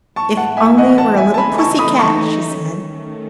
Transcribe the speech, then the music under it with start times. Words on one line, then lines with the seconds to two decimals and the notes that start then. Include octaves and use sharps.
'If only it were a little pussy cat!' she said.
0.16 A2 E3 B3 E4 A5 C#6
0.37 F#5 A5
0.57 E5 G#5
0.78 D#5 F#5
0.98 F#5 A5
1.17 E5 G#5
1.34 A5
1.38 C#3 E3 A3 D#4 G#5 B5
1.58 A5 C#6
1.79 B5 D#6
1.99 A5 C#6
2.59 D#3 A3 C#4